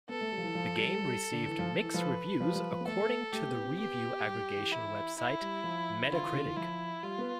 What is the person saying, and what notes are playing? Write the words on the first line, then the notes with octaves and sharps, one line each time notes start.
The game received "mixed" reviews according to the review aggregation website Metacritic.
B3 A4
A3
G3
F3
E3
F3
G3
G3
D3
E3
F3
E3
F3 B4
F3
G3
F3
F3
B3
A3 A4
A3
A3 G4
B3
C4
B3 G4
G3
E3
E3 E4
E4
G3
F3
D3 F4
E3
D3
E3
F3 E4
G3 F4
B3